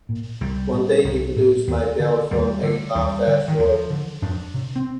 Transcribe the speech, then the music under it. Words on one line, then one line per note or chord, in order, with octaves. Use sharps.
One day he produced my belt from a lockfast drawer.
A#2
C2 G3
A#2
C2
A#2
D#2
D3
D#2 G3
D3
D#2 G3
D3
D#3
D#2 F3
D3
F2 D4
C3
C4